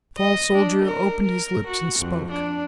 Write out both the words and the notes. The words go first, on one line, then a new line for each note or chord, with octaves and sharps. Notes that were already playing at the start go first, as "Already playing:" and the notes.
The tall soldier opened his lips and spoke.
D#5
D4
A#4
A#4
F#4
F2
D4